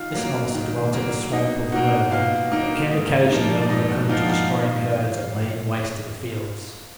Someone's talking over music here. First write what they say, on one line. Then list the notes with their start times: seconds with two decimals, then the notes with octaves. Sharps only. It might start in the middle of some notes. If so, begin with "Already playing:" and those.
This monster dwelt in the swamp of Lerna, but came occasionally over the country, destroying herds and laying waste the fields.
Already playing: D#3 F4 F5
0.14 F#3 A#3
0.54 D#3
0.93 F#3 A#3
1.33 B2 D#4 D#5
1.72 A#3 D#4 F#4 F#5
2.12 B2 F4 F5
2.52 A#3 D#4
2.91 G#2
3.30 F3 A#3 D#4
3.61 D5
3.69 G#2 D#4 D#5
3.89 F#4 F#5
4.09 F3 A#3 D#4 F4 F5
4.29 F4 F5
4.49 D#3